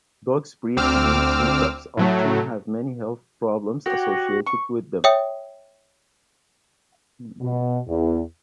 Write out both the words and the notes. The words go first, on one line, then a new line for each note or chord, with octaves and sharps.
Dogs bred to be "teacups" often have many health problems associated with them.
D2 C4 D6 E6 F6
A2 F#3 A3
F#4 G4 C#5
C#6
C#5 E5 G5 D#6
B2
E2